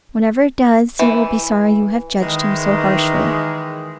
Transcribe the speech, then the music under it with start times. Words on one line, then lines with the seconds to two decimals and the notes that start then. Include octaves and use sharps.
'Whenever it does, you will be sorry you have judged him so harshly.'
0.99 E3
2.21 D#3 E3 G#3